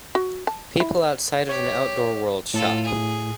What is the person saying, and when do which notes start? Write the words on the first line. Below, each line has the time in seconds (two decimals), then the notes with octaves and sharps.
People outside of an Outdoor World shop.
0.15 F#4
0.47 A5
0.80 E4
1.49 G4 C#5
2.54 A2 F4 A4
2.84 G#4